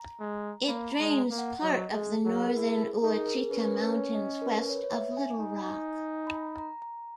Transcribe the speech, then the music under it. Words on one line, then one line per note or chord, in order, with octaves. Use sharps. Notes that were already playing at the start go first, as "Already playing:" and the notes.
It drains part of the northern Ouachita Mountains west of Little Rock.
Already playing: A#5
G#3
A#3 B5
A#5
G#3
A#3
F#5
F#3 D#5
G#3 G#4
F#3 G#4
A#4
E4 G#4
D#4 A#4
G#4
A#4
C#4 B4
A#4
B4
C#5
D#5
A#4
B4
C#5
B4
C#5
E5
G#5
D#4
B5
A#5
A#5
A#5